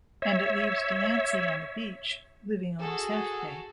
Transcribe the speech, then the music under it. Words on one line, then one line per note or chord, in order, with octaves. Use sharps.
And it leaves Delancey on the beach, living on his half-pay.
C#5 E5
F#4 G#4 A4